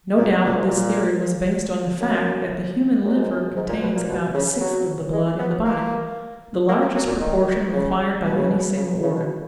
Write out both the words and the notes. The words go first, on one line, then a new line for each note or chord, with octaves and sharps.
No doubt this theory was based on the fact that the human liver contains about a sixth of the blood in the body, the largest proportion required by any single organ.
A#2
A#2
G#2
A#2
F#2
F#2
G#2
F#2
G#2
A#2
B2
A#2
B2
C#3
F#3
G#3
B3
A#3
A#3
A#3
F#3
A#2
D#3
C#3
B2
C#3
B2
C#3
C#3
B2